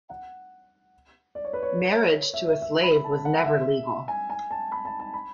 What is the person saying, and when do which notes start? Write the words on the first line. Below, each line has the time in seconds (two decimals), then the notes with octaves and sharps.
Marriage to a slave was never legal.
0.10 F#5
1.35 D5
1.44 C#5
1.53 B4
1.63 C#5
2.34 E5
2.48 E5
2.62 E5
2.83 B5
3.04 A5
3.25 F#5
3.46 E5
4.08 G#5
4.30 G#5
4.51 A5
4.72 B5
4.85 A5
5.00 A5
5.14 B5